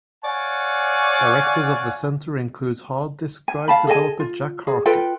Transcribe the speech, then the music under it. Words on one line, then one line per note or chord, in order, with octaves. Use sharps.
Directors of the center include hard disc drive developer Jack Harker.
C#5 D5 F5 F#5 G#5
G#5
F5 A5 B5
G#4 A4 D#5 G#5
F4
G#4
F4 A4 B4 G5